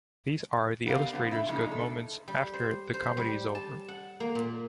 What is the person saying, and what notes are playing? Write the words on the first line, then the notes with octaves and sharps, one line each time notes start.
These are the illustrator’s good moments, after the comedy is over.
B3 G4 A#4 C5 D5 F5
F3 B3 D4
E4 E5
C#3 F3 G#3 A#3 D4 D#4
A4
G3
C5
C5
G3
A5
F#5
A#3
A#2